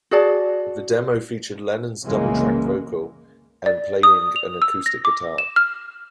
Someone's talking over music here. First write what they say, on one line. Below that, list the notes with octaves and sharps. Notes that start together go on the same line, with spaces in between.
The demo featured Lennon's double-tracked vocal and playing an acoustic guitar.
F#4 G#4 D5 A5
C2 F#2 C#3 E3 G#3 A#3
D5
D#6
F7
E6
A#6
D6
E7
F6